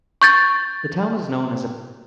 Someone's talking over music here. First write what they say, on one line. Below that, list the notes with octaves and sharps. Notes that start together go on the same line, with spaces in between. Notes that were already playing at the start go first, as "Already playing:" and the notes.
The town is known as a balneologic and climatic resort.
C#6 G6 A6